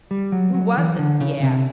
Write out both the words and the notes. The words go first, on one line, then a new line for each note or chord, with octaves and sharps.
"Who was it?" he asked.
G3
F#3
F#3
E3
D3
C#3
C3